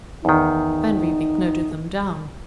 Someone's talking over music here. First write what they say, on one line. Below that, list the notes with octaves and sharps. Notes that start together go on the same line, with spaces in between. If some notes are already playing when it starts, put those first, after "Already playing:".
Van Riebeek noted them down.
E2 D#3 D#4